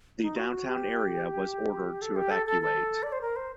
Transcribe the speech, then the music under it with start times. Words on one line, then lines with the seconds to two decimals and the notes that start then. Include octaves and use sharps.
The downtown area was ordered to evacuate.
0.22 D#4
0.36 F#4
0.52 F#4
0.66 G4
2.02 A4
2.16 G4
2.31 A4
2.46 A4
2.61 A4
3.03 D5
3.12 C5
3.21 A#4
3.36 C5